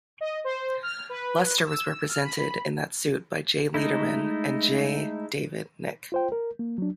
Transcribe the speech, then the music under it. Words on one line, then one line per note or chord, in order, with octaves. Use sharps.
Luster was represented in that suit by Jay Leiderman and J. David Nick.
D#5
C5
F6
B4
E6
F6
B5
G#3 A3 D#4 E4
F4 C5 G5
A#4
A#3
F#3 D4